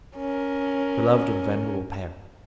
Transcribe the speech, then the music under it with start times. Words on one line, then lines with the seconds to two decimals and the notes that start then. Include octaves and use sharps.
Beloved and venerable parent!
0.17 C#4 A#4